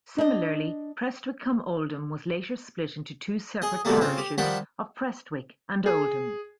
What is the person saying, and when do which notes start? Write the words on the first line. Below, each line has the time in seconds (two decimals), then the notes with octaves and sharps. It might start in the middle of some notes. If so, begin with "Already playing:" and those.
Similarly, Prestwich-cum-Oldham was later split into two separate parishes of Prestwich and Oldham.
0.18 D4 D#5
3.62 G#4 D#5
3.85 G#2 B2 D3 G3 A3 A#3
4.01 C#3 C4 F4
4.18 G4
4.38 D#3 F3 G3 F#5 G5 B5
5.86 G#4